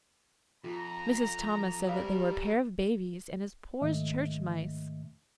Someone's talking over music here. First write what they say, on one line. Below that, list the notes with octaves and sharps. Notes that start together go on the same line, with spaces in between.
Mrs. Thomas said that they were a pair of babies and as poor as church mice.
F2 F4 A#5
F#3 G3 A#4 C5 F5 D#6
G#2 D#3 A3 D#5 E5